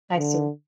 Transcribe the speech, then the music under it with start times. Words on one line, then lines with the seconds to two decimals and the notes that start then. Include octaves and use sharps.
I see.
0.18 D3